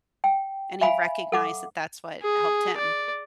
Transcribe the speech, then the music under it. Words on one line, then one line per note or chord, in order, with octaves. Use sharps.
and he recognized that that's what helped him.
G5
E5 F5 G#5 B5
A4 F#5 D6
G#4
D5